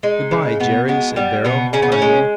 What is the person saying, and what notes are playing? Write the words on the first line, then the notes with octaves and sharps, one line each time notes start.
"Good-bye, Jerry," said Beryl, kindly.
G#3 D#4
C#3
B2 B3
G#3 B3
G3 B3
B2 B3
C#3 C#4
B3
C#4
G#3